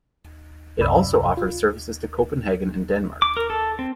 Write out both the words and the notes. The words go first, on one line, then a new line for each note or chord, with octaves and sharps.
It also offers services to Copenhagen in Denmark.
C2 F#2 C3 D5 B5 E6
F4
D6
A#4
A4
C4